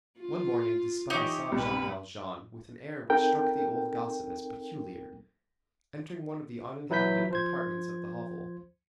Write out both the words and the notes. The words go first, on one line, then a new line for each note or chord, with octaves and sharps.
One morning, this spy saw Jean Valjean, with an air which struck the old gossip as peculiar, entering one of the uninhabited compartments of the hovel.
F4
E3 D#4 G4 C#5
C2 B2 B4
C4 D#4 A4 A#4 G5
E3 F#3 E4 B4 G6 B6
F3 C5 G#6